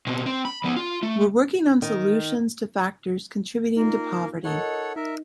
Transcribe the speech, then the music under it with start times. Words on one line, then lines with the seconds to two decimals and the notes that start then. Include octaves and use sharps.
We're working on solutions to factors contributing to poverty.
0.07 B2 C4
0.26 C4
0.45 B5
0.64 F3 B3
0.76 F4
1.03 A3
1.82 D#3
3.77 A#3 D#4 F4 A#4
4.44 A4 A#4 C#5 D#5 F#5
4.96 D#4 A#4 E5